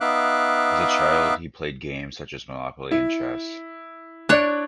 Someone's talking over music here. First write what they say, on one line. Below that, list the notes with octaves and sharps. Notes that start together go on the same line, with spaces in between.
As a child he played games such as "Monopoly" and chess.
B3 D#4 E5 F5 D6 F#6
E4
D4 C#5 D5 F#6